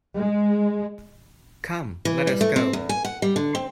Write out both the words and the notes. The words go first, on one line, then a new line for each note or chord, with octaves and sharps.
Come, let us go!
G#3
E3
G3
A3
C4
E2
G#5
F#5
G3
D3
C4